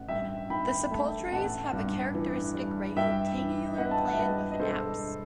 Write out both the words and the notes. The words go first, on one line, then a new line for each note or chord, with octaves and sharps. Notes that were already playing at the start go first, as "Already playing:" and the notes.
The sepulchres have a characteristic rectangular plan with an apse.
Already playing: A1 F#5
G2 E5 G5
D#3 G5 B5
A3
A1 F#5 A5
G2
E3
G3
G2 E5 G5
E3
B3 D#5 F#5
A5
G5
F#5
E5
G2 B4 D#5
D#5
E1 A4 C5